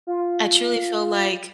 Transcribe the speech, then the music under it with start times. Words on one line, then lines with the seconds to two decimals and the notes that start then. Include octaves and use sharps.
I truly feel like,
0.07 F4